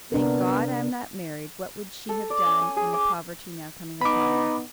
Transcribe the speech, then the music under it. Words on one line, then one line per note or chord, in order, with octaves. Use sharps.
"Thank God I am not married: what would SHE have done in the poverty now coming upon me!"
C3 B3 D4 A#4
A4
D5
C#4
G#5
G#4
D6
B3 D#4 B5 D6